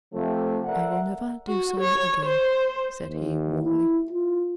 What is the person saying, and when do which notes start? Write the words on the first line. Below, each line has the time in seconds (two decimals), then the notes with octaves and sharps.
'I will never do so again,' said he, warmly.
0.13 C3 F3 A3
0.65 A4 A#4 D5 E5 F#5
1.48 F#4
1.80 C#5
2.25 C5
3.08 D#2
3.62 E4
4.10 F4